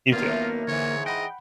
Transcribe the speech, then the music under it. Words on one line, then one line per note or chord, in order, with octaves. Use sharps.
You too.
F#2 A2 D#3 A#3 B3 F4 B4
G#2 D3 E3 C#5
D#5 F#5 G5 B5